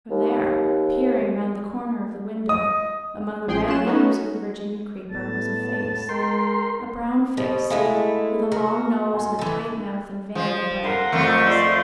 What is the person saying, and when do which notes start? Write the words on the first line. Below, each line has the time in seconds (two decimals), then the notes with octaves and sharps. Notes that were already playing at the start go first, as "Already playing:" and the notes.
For there, peering round the corner of the window, among the red leaves of the Virginia creeper, was a face - a brown face, with a long nose and a tight mouth and very bright eyes.
0.10 D#2
2.49 D#5 D#6
3.47 A1 F3 G#4 G5 C6 C7
3.67 F#3 C#4 F4 F#6 E7
3.86 A3 B3 C#4 D#4 F#4
5.11 A2 B3 A5
6.09 G#3 A#4 G5 C6
7.37 B2 G4 C5
7.70 G#3 A3 E4 E5 F5 G#5
8.52 F#4 A#4
9.13 D#5 G#5 C6
9.39 E3 A4
10.35 F3
10.83 A#4 F#5 C6
11.12 F2 F3 A3
11.42 F4 D5 C6